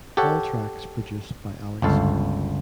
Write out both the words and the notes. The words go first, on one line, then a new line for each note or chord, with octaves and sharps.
All tracks produced by Alex Hope.
G4 A4 C#5 F#5
G1 C#2 A4 F5